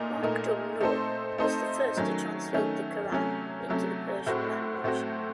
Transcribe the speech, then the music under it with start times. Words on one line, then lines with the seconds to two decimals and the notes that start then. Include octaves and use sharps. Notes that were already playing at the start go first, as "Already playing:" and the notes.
Makhdoom Nooh was the first to translate the Quran into the Persian language.
Already playing: A#2 A3 D#4 A#4
0.22 A#2 A3 D#4 A#4
0.80 A3 C4 D#4 A4 C5
1.38 A3 C4 D#4 A4 C5
1.97 D#3 F#3 A3 C#4
2.53 D#3 F#3 A3 C#4
3.11 C3 F#3 A3 C#4
3.69 C3 F#3 A3 C#4
4.26 A2 A3 C4 F#4
4.84 A2 A3 C4 F#4